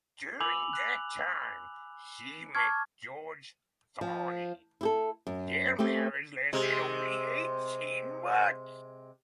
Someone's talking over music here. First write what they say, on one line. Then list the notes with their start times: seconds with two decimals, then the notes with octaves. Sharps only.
During that time she met George Tawney; their marriage only lasted eighteen months.
0.40 G#5 B5 D6 E6 F7 F#7
0.73 F#6
2.55 A5 C#6 D6 F6 G#6
4.01 F3
4.81 E4 G4 A4
5.27 F#2
5.79 A3 B3 C4 G4
6.53 C3 G#3